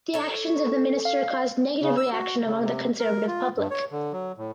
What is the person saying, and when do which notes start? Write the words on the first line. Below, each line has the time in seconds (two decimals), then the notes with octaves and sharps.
The actions of the minister caused negative reaction among the conservative public.
0.14 A4 C#5
1.05 F5
1.82 C#3
1.97 E6
2.12 F#4
2.46 C#3
2.61 C3
3.00 A#4
3.28 F4
3.57 G2
3.71 C#5
3.92 D3
4.13 F#3
4.38 A2